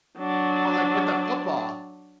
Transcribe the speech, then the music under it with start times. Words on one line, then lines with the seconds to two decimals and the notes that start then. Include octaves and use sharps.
But like with the football
0.18 F#3 D4